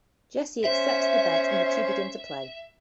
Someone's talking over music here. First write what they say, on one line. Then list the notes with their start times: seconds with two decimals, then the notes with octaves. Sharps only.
Jesse accepts the bet and the two begin to play.
0.64 C#4 C5 E5